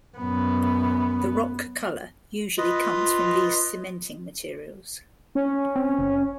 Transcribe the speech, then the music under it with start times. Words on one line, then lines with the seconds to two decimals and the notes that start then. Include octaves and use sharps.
The rock color usually comes from these cementing materials.
0.18 F#2 B3
2.58 F4 B4 D#5
5.35 C#4
5.76 C4
5.99 F#1